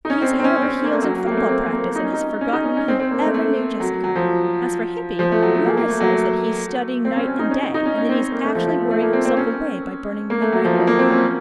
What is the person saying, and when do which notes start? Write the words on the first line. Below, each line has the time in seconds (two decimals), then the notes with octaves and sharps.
"He is head over heels in football practice and has forgotten he ever knew Jessica. As for Hippy, Nora says that he is studying night and day, and that he is actually wearing himself away by burning midnight oil."
0.05 D#4
0.10 C#4
0.22 C4
0.33 C#4
0.39 C4
0.44 C#4
0.56 C#4
0.62 C4
0.68 C#4
0.84 A#3
0.91 A3
1.02 F#3
1.14 F#3
1.26 A#3
1.31 A3
1.37 A#3
1.49 C4
1.60 C4
1.72 A#3
1.95 D#4
2.04 C#4
2.13 D#4
2.41 C#4
2.53 D#4
2.64 C#4
2.77 C#4
2.88 C4
3.00 C4
3.11 A#3
3.23 A3
3.34 A3
3.80 F#3
4.04 F#3
4.16 F3
5.19 F3
5.32 A3
5.43 F#3
5.55 A3
5.66 A#3
5.77 A#3
5.89 A3
6.00 F#3
6.12 A3
7.05 C4
7.16 C#4
7.28 C#4
7.39 D#4
7.51 C#4
7.63 D#4
7.74 D#4
7.86 C#4
7.97 C#4
8.09 C4
8.21 C4
8.32 A#3
8.44 A3
8.55 F3
8.67 F3
8.78 A3
8.91 A3
9.02 A#3
9.13 C4
9.25 C4
9.37 C#4
10.30 A#3
10.42 A3
10.52 F#3
10.65 F3
10.75 F#3
10.87 A#3
10.99 C4
11.11 C#4